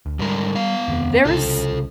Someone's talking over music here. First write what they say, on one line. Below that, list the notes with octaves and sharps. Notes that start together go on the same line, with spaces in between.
there was
D2
G#2 D3 G3 A#4
B3 F5
F1 D#2 C3
C2 C#3 F4 A4